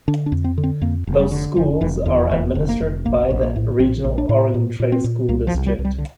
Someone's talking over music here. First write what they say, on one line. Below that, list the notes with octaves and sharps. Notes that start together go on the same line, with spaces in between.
Those schools are administered by the regional Oregon Trail School District.
D3 D4
D4
F2
C4
D3
C4
F2 A#3
F1
F3
G3
D3
F1 F3
F1 E3
E2 D3
F1 E3
F1
A#3
F1
A#1 A#3
A#1
A#3
A2
A#1 C4
A#1
D4
A2
A#2
A#2
C4
A#2
C2 A#3
F3
C2
G3
C2
G3
D3